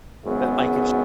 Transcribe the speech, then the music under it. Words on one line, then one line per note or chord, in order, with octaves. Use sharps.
but, like, if sh
G#1 F#2 C#3 G#3 B3